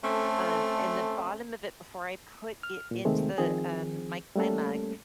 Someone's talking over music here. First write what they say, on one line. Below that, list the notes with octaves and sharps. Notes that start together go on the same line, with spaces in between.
Um, in the bottom of it, before I put it into the, um, my c my mug,
A3 C4 C#4 A4
F6
A#2
D#2 C3 D#3 G#3 A3 C4
D#3 F3 C4 G#4
G3 A3 A#3 C#4 A4